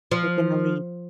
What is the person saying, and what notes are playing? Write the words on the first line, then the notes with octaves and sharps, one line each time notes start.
taking the leap.
F3